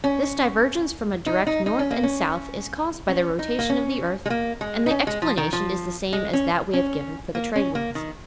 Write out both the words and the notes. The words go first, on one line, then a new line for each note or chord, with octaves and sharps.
This divergence from a direct north and south is caused by the rotation of the earth and the explanation is the same as that we have given for the trade winds.
C#4
D#4
D#4
D#4
C#4
A#3
C#4
C#4
D#4
A#3
C#4
G#3
A#3
G#3
D#4
C#4
G#3
F3
D#3
F3
G#3
C#4
C#4
A#3
C#4
A#3
D#3